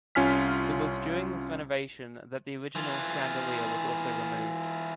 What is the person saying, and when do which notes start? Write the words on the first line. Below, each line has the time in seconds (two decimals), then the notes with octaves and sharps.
It was during this renovation that the original chandelier was also removed.
0.15 C2 C#4 F4 G#5 F6 B6
2.76 E3 F4